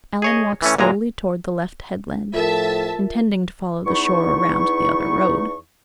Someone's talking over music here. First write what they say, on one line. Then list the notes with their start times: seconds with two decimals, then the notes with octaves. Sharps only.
Alan walked slowly towards the left headland, intending to follow the shore around to the other road.
0.22 G#4 C#5 D#5
0.62 E3 A3 C#4
0.78 D2 A#2 G#3 G#5 A#5
2.33 A2 F3 F4 A4 A#4 E5 A5
3.85 E2 B3 D#4 E4 C#6